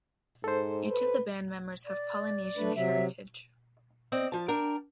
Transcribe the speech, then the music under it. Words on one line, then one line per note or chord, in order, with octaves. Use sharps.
Each of the band members have Polynesian heritage.
G#2 A4 C5
B4
D5
A3 D4 B4
C3 F#3 E5
C4 D5 D#5
F3 A5
D4 A#4 G5